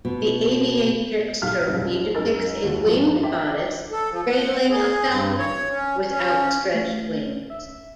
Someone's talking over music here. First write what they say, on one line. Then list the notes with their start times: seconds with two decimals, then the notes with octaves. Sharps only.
The aviatrix trophy depicts a winged goddess cradling a falcon with outstretched wings.
0.05 B2
1.42 B1 F5 F6 B6
1.70 C2 F#2
2.15 F#2 G#3 D#4 A#4 E6 A6
2.64 D#2 F#4
2.84 G2 F3
3.23 E5 G5 D6 B6
3.91 A4
4.10 F3
4.28 F#5
4.70 G#4
5.08 G2
5.38 C#5
5.70 C#4
6.10 C#4
6.74 A3
7.15 C#4
7.50 E5